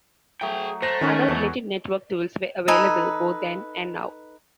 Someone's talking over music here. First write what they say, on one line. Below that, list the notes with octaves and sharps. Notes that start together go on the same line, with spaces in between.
Other related network tools were available both then and now.
F#3 A3 G#4 G5
A3 C5 F#5 A#6
D#3 G#3 C#4 F#4 C#5
E2 F#3 F#4 A4
D#4 A4 B4 G#5